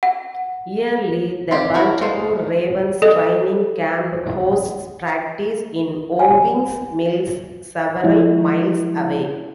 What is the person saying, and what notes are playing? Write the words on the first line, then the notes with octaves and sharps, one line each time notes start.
Yearly, the Baltimore Ravens Training camp hosts practice in Owings Mills, several miles away.
F#5
C4 F4 G4
E4 F#4 A#4
G#3 A#3 A4 C5
A4 D#5
G#5
F3 G#3 E4